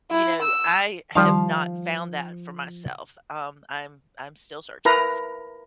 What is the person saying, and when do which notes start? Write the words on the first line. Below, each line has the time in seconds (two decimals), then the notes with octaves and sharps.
you know, I have not found that for myself. Um, I'm I'm still searching.
0.11 E4
0.43 E6
1.15 D#3 F3 G3 F5
4.85 E4 A#4 B4 A#5